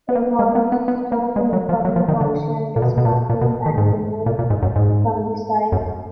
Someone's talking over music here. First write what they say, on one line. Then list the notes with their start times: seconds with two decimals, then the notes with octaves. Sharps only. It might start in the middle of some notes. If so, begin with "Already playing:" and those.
It was sold in a public auction, dismantled and removed from the site.
0.09 B3
0.15 A#3
0.39 G#3
0.55 B3
0.72 B3
0.88 B3
1.12 A#3
1.36 G#3
1.53 F#3
1.69 F3
1.85 F#3
1.96 F3
2.09 D#3
2.21 D3
2.76 A#2
2.82 B2
2.98 B2
3.05 A#2
3.30 A#2
3.41 B2
3.66 D#3
3.78 G#2
4.26 A#2
4.39 A#2
4.50 G#2
4.63 F#2
4.76 G#2
5.72 F#2